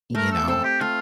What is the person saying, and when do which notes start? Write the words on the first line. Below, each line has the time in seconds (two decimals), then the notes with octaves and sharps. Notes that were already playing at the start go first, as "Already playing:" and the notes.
you know,
0.15 A3 A#4
0.31 A4
0.48 C4 A4
0.64 G4
0.80 A3 F4